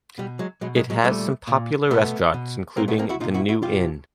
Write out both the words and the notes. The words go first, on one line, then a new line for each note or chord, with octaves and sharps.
It has some popular restaurants including The New Inn.
B2 G3
F#3 G#3
B2 F#3 G#3
F#3 G#3
F#3 G#3
A#2 G3 A3
A#2
B2 A3 B3
B2
A#2 A#3 C4
A3 B3
A#3 C4
E4 F#4
A#2 D#4 F4
E4 F#4
E4 F#4
B2 F4 G4